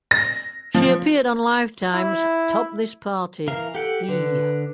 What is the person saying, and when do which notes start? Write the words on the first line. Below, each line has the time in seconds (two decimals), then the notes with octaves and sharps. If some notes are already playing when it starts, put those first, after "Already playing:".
She appeared on Lifetime's "Top This Party", E!
0.11 A#6
0.74 F3
1.93 E4
3.48 E3 A#4 F5
3.75 G4 A4 F#5 G5
4.09 D3 B4